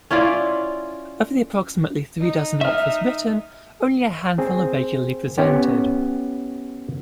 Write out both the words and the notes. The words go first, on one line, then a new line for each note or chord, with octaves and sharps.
Of the approximately three dozen operas written, only a handful are regularly presented.
C#4 E4 F4 D5
D#4
D#4 E5 F6
C4 G#4
B3 C#4 G4 C#5 G5